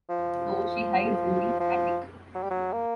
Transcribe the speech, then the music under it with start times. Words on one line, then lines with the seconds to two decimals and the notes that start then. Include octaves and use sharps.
So she hides in the attic.
0.09 F3
1.60 F3
2.35 F#3
2.43 G3
2.51 F#3
2.73 A#3